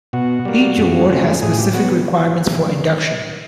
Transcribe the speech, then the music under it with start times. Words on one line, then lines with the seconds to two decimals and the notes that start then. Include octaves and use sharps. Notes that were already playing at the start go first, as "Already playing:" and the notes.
Each award has specific requirements for induction.
0.13 B2 F#4
0.45 G3 A#3
0.77 F#2
1.10 C#3 F3 A3
1.42 A2 G#4
1.58 G4
1.74 F#3 B3 F#4